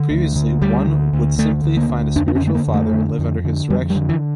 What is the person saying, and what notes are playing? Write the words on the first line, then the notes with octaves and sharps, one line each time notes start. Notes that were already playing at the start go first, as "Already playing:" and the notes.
Previously, one would simply find a spiritual father and live under his direction.
Already playing: D3
D2
D3
D2 G3
D3
D2
D3 A3
D2
A#3
D3
F2 D4
D4
C#4
D3
A3
A#3
F2
A3
D3
F2
D3
F2 G3
G3
D3
E3